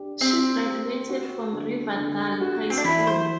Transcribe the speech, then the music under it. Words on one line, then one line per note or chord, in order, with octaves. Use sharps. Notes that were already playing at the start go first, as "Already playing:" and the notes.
She graduated from Riverdale High School.
Already playing: D4 G4
C4 G4
G4
F#4
D3
D3
F#4
C4
D4
E3 E4
C5